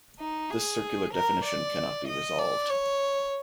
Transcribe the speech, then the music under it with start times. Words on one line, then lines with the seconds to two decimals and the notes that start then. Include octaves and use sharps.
This circular definition cannot be resolved.
0.20 D#4
0.50 G#4
1.14 A#4
1.45 D5
2.08 D#5
2.39 D5
2.70 C#5